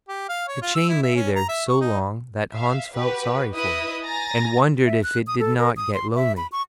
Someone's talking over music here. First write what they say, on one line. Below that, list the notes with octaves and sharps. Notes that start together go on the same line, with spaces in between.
The chain lay there so long that Hans felt sorry for it, and wondered if it did not get lonely.
G4
F5
C#5
F4
E6
E4
E5
C#4
A#5
E5
C#6
D#4
E5 F5
F#4 G4 B4
E4 B4 D#5 E5 B5 D#6
G#5 A#5 A6 A#6
E5
F#6
D#6
A4
A#4
D#6
C6
E5
B5
C#6